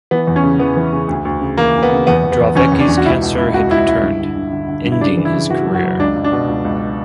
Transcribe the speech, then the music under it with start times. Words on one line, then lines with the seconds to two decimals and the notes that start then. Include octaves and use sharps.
Dravecky's cancer had returned, ending his career.
0.11 E3 B3
0.27 E2
0.36 C#4
0.43 C#3
0.59 E3 B3
0.77 E3
0.93 C#3
1.08 D2
1.25 D2
1.41 C#3
1.57 E3 A#3
1.74 D2
1.83 B3
1.91 C#3
2.07 E2 B3
2.24 E2
2.32 B3
2.40 E2
2.55 E2 C#4
2.72 E2
2.80 D4
2.88 E2
2.97 F#4
3.05 C#2 E4
3.22 B2
3.38 C#2 E4
3.54 C#2 F#4
3.70 C#2 E4
3.87 C#2 E4
4.03 G2
4.19 D3
4.35 D3
4.52 D3
4.68 D3
4.84 G2
4.92 E4
5.01 C#3 D4
5.17 E3
5.25 E4
5.34 C#3
5.50 E3 F#4
5.67 F#2
5.75 F#4
5.84 F#2
5.99 C#2 D4
6.16 C#2
6.24 D4
6.32 B2
6.48 C#2
6.65 C#2